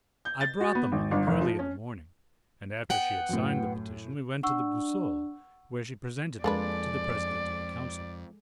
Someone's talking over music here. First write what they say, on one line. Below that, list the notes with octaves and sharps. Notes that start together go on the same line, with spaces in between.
I brought the mother early in the morning, and after she had signed the petition we went to the Boussole, where she presented it to the President of the Council.
G6
A6
F#4
B3
G#1
G1
F1
F3
C#4
B3 F#5 G5
F#2 A2
D4 F#5 C#6 E6
F2 G#3 A#3 D4 A4 B4 D5